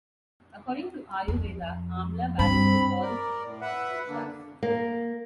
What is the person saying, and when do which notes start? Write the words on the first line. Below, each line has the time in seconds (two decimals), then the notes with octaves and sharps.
According to Ayurveda, amla balances all three doshas.
1.28 F2
2.39 G2 C4 B5
3.02 A#4 D5
3.44 A2
3.61 B4 E5 F#5
4.09 D3 A#3 D4
4.63 A#3